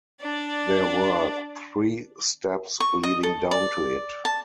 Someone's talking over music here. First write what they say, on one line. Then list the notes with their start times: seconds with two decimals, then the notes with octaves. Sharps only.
There were three steps leading down to it.
0.21 D4 D5
2.80 C#6
3.03 D#5
3.23 A4
3.51 D5
4.25 A5